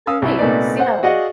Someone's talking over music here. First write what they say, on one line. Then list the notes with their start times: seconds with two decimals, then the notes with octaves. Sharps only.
Nice, yeah.
0.07 C#4 F5 D#6 E6
0.22 C2 E4
0.39 C2 A#2 A3 B3 D#4 D5
0.79 C5 F#5
1.03 F#4 G#4 D5 D#5 F5 F#5